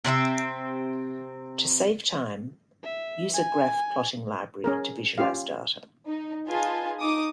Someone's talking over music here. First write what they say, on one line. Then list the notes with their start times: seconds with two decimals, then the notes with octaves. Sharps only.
To save time, use a graph plotting library to visualize data.
0.05 C3 C4 D4 E5
2.83 E5
3.33 G#5
4.64 C#4 G#4 A#4
5.18 C#4 F4 G4 F5
6.07 D#4
6.48 D#4 F4 G#4 B4 G#5 A5
7.00 D#4 D6 D#6